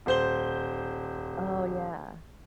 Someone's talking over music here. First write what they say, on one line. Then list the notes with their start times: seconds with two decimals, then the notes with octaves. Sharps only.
Oh, yeah.
0.06 D#1 C5 G7